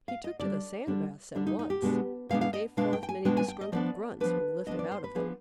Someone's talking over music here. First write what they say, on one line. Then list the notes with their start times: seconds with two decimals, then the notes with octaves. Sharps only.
He took to the sand baths at once, and gave forth many disgruntled grunts when lifted out of them.
0.08 F5
0.24 D#5
0.39 D3 G3 D4 D5
0.87 D3 G3 D4
1.35 D3 G3 D4
1.47 D#4
1.59 D#4
1.70 G4
1.82 B2 G#3 B3 D4
2.29 B2 G#3 B3 D4 F5
2.41 F5
2.54 D#5
2.77 B2 G#3 B3 D4 F5
2.93 G5
3.03 G5
3.09 G#5
3.25 B2 G#3 B3 D4 G5
3.37 G#5
3.48 G5
3.61 D#5
3.72 F3 B3 D4 D5
4.20 F3 B3 D4 B4
4.67 F3 B3 D4 D#5
4.79 D5
4.92 C5
5.04 B4
5.15 F3 B3 D4 G#4